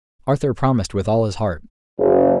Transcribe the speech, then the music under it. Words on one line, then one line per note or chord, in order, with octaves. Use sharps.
Arthur promised with all his heart.
F#1